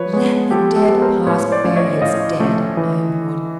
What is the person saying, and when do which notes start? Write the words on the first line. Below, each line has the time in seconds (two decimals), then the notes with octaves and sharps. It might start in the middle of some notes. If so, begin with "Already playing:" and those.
"Let the dead past bury its dead," I implored.
Already playing: F3 B4 C#5
0.13 G#3 B3 B4 C#5
0.51 F3 G4 A4
0.76 G4 A4
0.88 G#3 B3
1.02 A#4 C5
1.27 A2 B4 C#5
1.52 C5 D5
1.64 F3 A3 C#4
1.76 C#5 D#5
2.02 A2 D#5 F5
2.40 F3 A3 C#4
2.77 E3